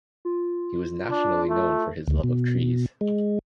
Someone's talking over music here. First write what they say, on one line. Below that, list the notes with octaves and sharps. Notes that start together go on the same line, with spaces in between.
He was nationally known for his love of trees.
F4
D4
A3
D2
B2
G#3